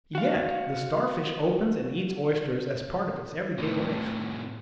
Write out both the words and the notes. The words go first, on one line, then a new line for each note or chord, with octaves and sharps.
Yet the Starfish opens and eats oysters as part of its everyday life.
F#4 F5
A2 C3